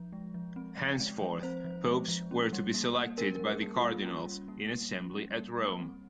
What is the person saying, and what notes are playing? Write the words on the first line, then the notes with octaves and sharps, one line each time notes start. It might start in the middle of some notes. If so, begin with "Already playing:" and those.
Henceforth, popes were to be selected by the Cardinals in assembly at Rome.
Already playing: F3
G#3
F3
C4
F3
G#3
F3
C4 C5
F3
G#3
F3
C#4
G3
A#3
G3
C#4 A#4
G3 A#4
G#4
A#3
F4
G3
C#4
G3
A#3
G3
C#4
G3
A#3
G3
C4